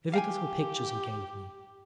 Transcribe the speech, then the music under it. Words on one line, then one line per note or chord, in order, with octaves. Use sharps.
Vivid little pictures he gave me.
G4 F5 G5 G#5